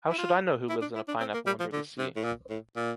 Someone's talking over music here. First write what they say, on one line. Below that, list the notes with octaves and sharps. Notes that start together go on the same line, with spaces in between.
How should I know who lives in a pineapple under in the sea?
E4
F4
E4
D4
E4
D4
C4
A#3
G3
F3
D3
C3
A2
A#2
A2
A#2